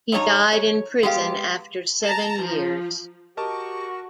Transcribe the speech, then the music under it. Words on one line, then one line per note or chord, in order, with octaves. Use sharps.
He died in prison after seven years.
G2 D#4 C#5 A5 A#5
C#5
G#3 B3 G4 F5
A5 A#5
F3
F#4 G4 A#4 D#5 A5 C#6